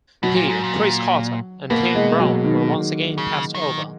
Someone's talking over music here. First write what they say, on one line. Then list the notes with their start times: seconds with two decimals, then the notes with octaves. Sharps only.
He, Cris Carter, and Tim Brown were once again passed over.
0.23 B2 F#3
0.36 A#2
0.49 G#2
0.64 A#2
1.70 B2 A#3
1.95 G#3
2.20 F#3
2.44 D#3
3.18 C#3
3.55 D#3